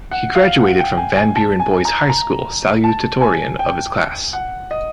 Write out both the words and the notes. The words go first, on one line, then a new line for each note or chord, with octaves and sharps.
He graduated from Van Buren Boys High School salutatorian of his class.
F#5
F5
F#5
G5
G#5
G#5
A5
G#5
A#5
A#5
A5
G#5
G5
F#5
D#5